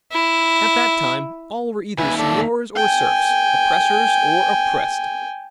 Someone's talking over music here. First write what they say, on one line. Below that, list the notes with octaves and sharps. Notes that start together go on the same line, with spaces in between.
At that time, all were either seigniors or serfs, oppressors or oppressed.
E4
D#2 B4 E5 G#5
A4 D5
G5 G#5